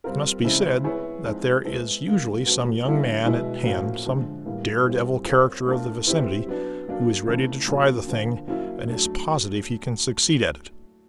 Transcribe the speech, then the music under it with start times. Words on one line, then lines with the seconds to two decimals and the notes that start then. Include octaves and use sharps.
It must be said that there is usually some young man at hand, some dare-devil character of the vicinity, who is ready to try the thing and is positive he can succeed at it.
0.04 G3 C4 F4 A#4
0.44 C#3 F3 G#3 C4 E4
0.84 B3 E4 G#4 C#5
1.24 F3 G#3 C4 D#4
1.64 G#3 B3 E4 A4 C5
2.04 D3 G3 A#3
2.45 F3 A3 C#4 F#4 B4
2.85 D3 G3 A#3 C#4 E4
3.25 B2 G#3 B3 E4 G#4
3.65 A2 F3 A#3 C#4 F#4
4.06 D3 F3 G#3
4.46 A2 E3 G3 A#3
4.86 A#2 G3 C4 E4 G4
5.26 C4 F4 A#4 C#5
5.66 A3 D4 F4 A#4
6.07 C4 E4 G4 B4
6.46 F#3 B3 D4
6.88 F#3 A#3 D4
7.27 C#3 E3 A3 C#4 F4
7.67 A#2 F#3 A#3 D4 F4
8.07 D3 F3 A#3
8.48 F#3 A#3 C#4 E4
8.88 F#3 A3 D4